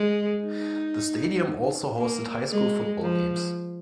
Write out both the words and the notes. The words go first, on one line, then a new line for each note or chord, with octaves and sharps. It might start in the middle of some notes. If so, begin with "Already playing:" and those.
The stadium also hosted high-school football games.
Already playing: G#3
D#4
A#3
G#3
F3